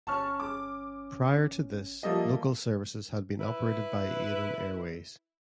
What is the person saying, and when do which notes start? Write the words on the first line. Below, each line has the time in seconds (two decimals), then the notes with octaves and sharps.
Prior to this, local services had been operated by Aden Airways.
0.07 G1 C#4 A5 C#6 F6
0.40 D6
2.03 F3 G3 A#3 A4 D#5 E5
3.40 E4 B4